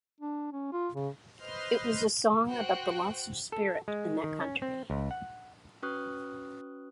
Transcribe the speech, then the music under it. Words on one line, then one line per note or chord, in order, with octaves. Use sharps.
It was a song about the loss of spirit in that country.
D4
C#4
F4
C#3
B4 C5 D#5 C6 F6
F#4 C5 G5 F#6
A4
G#3
D#3
C#4
C4
C#2
F#5
C#4 F#4 B4 C#6 D#6 F#6